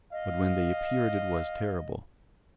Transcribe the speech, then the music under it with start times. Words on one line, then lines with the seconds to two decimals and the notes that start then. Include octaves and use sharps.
But when they appeared it was terrible.
0.12 D#5 F5